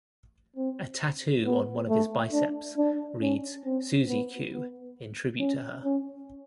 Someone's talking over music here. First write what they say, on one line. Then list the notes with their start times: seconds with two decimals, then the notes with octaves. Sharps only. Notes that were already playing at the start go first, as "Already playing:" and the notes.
A tattoo on one of his biceps reads "Suzie Q" in tribute to her.
0.56 C4
1.45 B3
1.89 A3
2.32 D4
2.77 D4
3.21 C#4
3.65 C4
4.08 B3
4.53 B3
5.40 C#4
5.84 C#4